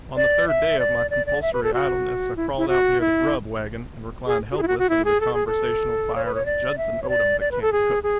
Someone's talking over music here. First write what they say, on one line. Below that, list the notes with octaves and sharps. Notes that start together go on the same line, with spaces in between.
On the third day of my compulsory idleness I crawled out near the grub wagon, and reclined helpless under the conversational fire of Judson Odom, the camp cook.
D5
E5
D5
D5
D5
E5
B4
A4
F#4
E4
E4
F#4
E4
G#4
F#4
G#4
E4
F#4
F#4
E4
G#4
A4
G#4
A4
C#5
B4
C#5
D5
E5
C#5
D5
D5
B4
A4
G#4
G#4